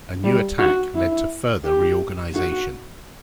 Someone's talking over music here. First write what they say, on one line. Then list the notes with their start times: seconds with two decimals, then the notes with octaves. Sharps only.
A new attack led to further reorganization.
0.24 G3
0.59 F#4
0.94 E4
1.64 G4
2.34 F#4